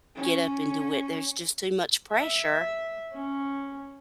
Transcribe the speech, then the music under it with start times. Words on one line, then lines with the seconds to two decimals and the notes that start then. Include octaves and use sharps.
get up and do it. There's just too much pressure.
0.15 C#4
2.11 E5
3.12 C#4